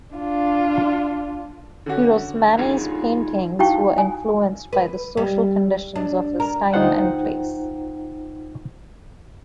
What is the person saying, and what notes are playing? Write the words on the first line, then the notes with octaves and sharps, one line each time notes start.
Pirosmani's paintings were influenced by the social conditions of his time and place.
D4 F4
D3 C#4 F#4
D#4 F4 G#4
D#4 E4 F#4 F5 G5 C#6
G#5
B4
G3
D4
A#4
D2 D#4 F4 C5 F#5 G5